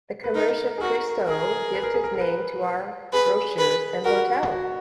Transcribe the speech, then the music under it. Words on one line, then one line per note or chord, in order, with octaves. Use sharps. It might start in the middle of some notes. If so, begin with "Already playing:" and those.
The commercial Crusoe gives his name to our brochures and hotels.
B4
D#4 A#4
G#4
F#4 A#4
G#4 A#4
B4
A#4
G#4
A#4
A#4
B4
G#4 B4
B4
F#4 A#4
F#4